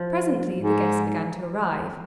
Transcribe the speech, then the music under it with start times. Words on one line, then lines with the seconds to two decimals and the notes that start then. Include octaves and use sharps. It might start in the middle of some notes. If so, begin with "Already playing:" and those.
Presently the guests began to arrive.
Already playing: F3
0.59 G#2